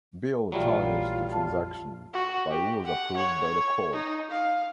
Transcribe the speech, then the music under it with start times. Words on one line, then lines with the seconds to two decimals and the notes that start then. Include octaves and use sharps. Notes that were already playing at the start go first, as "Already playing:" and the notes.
Bill challenged the transaction, but it was approved by the court.
0.52 A#1 E3 F#3 G3 A3 F4
1.32 F2 A5
2.13 F#4
2.50 G4
2.85 F#5
3.16 C#5
3.93 D#4
4.31 F5